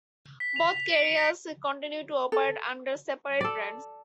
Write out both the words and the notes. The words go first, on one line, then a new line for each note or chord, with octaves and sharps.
Both carriers continue to operate under separate brands.
B6
F7
B6
D7
C#7
B6
A4
A4 D5